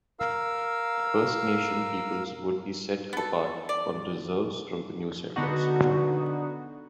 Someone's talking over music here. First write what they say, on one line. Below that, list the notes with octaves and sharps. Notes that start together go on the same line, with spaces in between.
First Nation peoples would be set apart on reserves from the new settlers.
A#4 F5 E6
B3 A4
D5
D3 B3 D#4 F#4